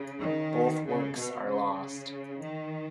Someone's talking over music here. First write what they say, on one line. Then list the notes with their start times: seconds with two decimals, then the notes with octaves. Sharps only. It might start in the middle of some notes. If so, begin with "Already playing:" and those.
Both works are lost.
Already playing: C#3
0.22 D#3
0.86 C#3
1.17 B2
1.48 C#3
2.42 D#3